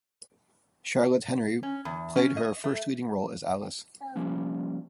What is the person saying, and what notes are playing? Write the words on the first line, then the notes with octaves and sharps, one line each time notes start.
Charlotte Henry played her first leading role as Alice.
C#4
E2
C#4
D#5
A3
F3 G3 A#3 C#4